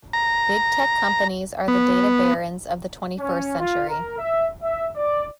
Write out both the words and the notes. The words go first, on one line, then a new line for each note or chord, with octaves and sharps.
Big tech companies are the data barons of the twenty first century.
A#5
B3
C#4
F4
A#4
E5
E5
D5